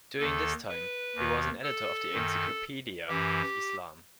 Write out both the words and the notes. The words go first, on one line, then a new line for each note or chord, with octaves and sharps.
During this time he was an editor of the Encyclopaedia of Islam.
D#2 D#3 A4
B4
D#2 D#3
A4
F#2 D#3
F#2 E3 G4